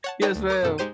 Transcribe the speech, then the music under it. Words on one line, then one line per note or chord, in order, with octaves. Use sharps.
Yes, ma'am.
C#5 F#5 A5
D#4 A4 B4 C#5 D5 G5
D2
A#4 D6
F#2 B2 A4
G#3 D#4 G4 C5 G6 D#7